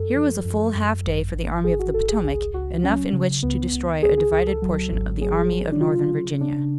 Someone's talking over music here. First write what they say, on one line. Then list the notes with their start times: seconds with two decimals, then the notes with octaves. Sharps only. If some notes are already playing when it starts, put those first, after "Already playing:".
Here was a full half day for the Army of the Potomac, enough in which to destroy a divided portion of the Army of Northern Virginia.
Already playing: F#2 A4
0.16 F3
0.45 F#2
0.75 F#2
1.05 G#1
1.35 G#1
1.64 G#1 G#4
1.79 F#4
1.94 G#1 A4
2.09 G#4
2.24 C#2 G#4
2.54 C#2 F#4
2.83 F#3 C#4
3.13 C#3
3.43 C#2 B3
3.73 C#2
4.03 C#2 G#4
4.18 G#4
4.32 C#2 G#4
4.47 A4
4.62 F#3
4.92 G#1
5.21 F#3 G#4
5.52 F#3
5.72 D4
5.81 C#3 F4
6.11 C#3
6.41 C#3 D4